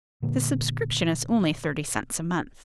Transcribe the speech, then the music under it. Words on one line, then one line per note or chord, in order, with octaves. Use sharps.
"The subscription is only thirty cents a month."
A#2 D3 A#3